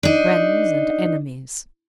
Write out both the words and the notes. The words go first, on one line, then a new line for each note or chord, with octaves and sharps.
"Friends and enemies!"
D4 D#4